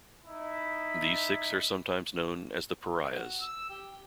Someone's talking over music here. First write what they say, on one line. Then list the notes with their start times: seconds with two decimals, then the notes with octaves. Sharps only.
These six are sometimes known as the pariahs.
0.23 D#4 E4 B5
3.14 F#4
3.41 E6
3.70 G4
3.91 G4